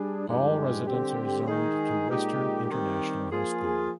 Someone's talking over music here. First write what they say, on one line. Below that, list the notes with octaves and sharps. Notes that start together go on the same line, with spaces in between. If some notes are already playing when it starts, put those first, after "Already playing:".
All residents are zoned to Western International High School.
Already playing: G3 D4 G#4
G2 F3 G#3 D#4 G4
D3 G3 C4 G4
D#3 G#3 D#4 G#4
A#2 G#3 D#4 G4
D#3 G3 C4 G4
F3 A#3 F4 G#4